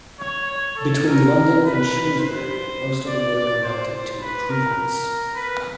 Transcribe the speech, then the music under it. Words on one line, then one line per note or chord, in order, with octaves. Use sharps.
Between London and Shrewsbury, most of the work amounted to improvements.
C#5
C#5
A4
A#4
B4
C5
D5
D5
C5
B4
A#4
B4